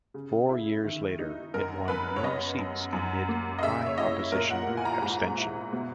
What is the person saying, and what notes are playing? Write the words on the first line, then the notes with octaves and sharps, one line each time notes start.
Four years later, it won no seats amid high opposition abstention.
C#3
E4
D#3
D#4
F#2 A#4
F#2 B4
C#5
F#2 D#5
F#2
F#2
A#3
D#5
C#3 E5
C#5
E4 D#5
A#2 A#4
F#5
A#2
G#5
A#5
G#2 A#5
E4
B2